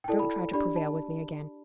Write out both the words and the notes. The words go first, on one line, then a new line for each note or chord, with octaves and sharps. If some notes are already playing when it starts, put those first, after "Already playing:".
Don't try to prevail with me again.
G5
E4 A4 D5 A5
B5
D4 G4 D5 B5
A5